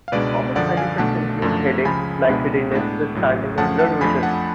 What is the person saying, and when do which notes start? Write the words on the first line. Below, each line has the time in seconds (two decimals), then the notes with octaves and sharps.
Common side effects include headache, lightheadedness with standing, and blurred vision.
0.08 F5
0.12 C#2 B2 G#3 D4 B4 D5
0.56 F#2 D3 F3 D5 F#5
0.77 F5 G#5
0.98 B1 B2 A3 D4 F#5 A5
1.42 F#2 F3 A3 D4
1.85 C#2 C#3 F3 G#5 B5
2.28 C#2 B2 G#3 B3 D4
2.71 A2 G#3 B3 D4
3.15 A1 A2 F#3
3.58 F#2 F3 A3 C#4 F#5 A5
3.79 F#5 A5
4.01 F2 F3 A3 D4 G#5 B5
4.23 F#5 A5